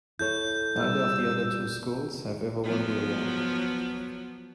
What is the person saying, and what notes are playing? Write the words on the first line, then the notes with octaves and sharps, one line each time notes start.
Neither of the other two schools have ever won the award.
E4 A4 C#5 G6
G3 E6
F3 F#3 B3